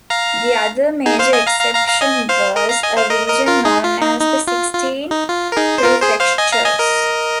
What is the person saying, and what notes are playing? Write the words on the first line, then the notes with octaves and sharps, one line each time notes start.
The other major exception was a region known as the Sixteen Prefectures.
F5 A#5
D#4 G#4
C5 F5
D#5 G#5
F5 A#5
F5 A#5
F5 A#5
F5 A#5
D#5 G#5
C5 F5
A#4 D#5
F5 A#5
D#5 G#5
C5 F5
A#4 D#5
A#4 D#5
F4 A#4
D#4 G#4
F4
D#4
D#4
F4
F4
D#4
F4
A#4
D#4 G#4
C5
F4 A#4
G#4 C5
C5 F5
D#5 G#5
F5 A#5
D#5 G#5
A#4 D#5